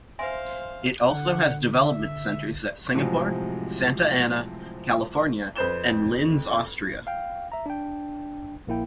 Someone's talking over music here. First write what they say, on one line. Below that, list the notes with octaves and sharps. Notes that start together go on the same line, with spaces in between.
It also has development centers at Singapore, Santa Ana, California, and Linz, Austria.
C5 E5 F5 G#5 C6
D3 F#5
E5
A2 C3 F3 F#3 G#3
F2 B4 C5 G6 E7 G7
F5 G5
E5 A#5
D4 G5
A#1 A#3 E4 G5